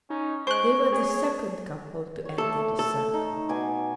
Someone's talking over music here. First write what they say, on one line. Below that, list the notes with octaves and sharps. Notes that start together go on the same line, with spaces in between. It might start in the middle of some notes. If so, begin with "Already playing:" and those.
They were the second couple to enter the circle.
C#4 D#4
G#3 C5 C#6 F#6 D7
G#4 C#5
C#5
A3 A4 D6
A4
D#4
B2 G#5 D6